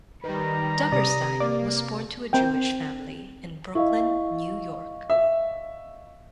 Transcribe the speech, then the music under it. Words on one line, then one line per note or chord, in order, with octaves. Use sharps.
Duberstein was born to a Jewish family, in Brooklyn, New York.
D#3 G3 B4 A#5
C3 D5 D#6
A#3 D5
C4 A#4 G5
E4 D#5 F5 C#6
E5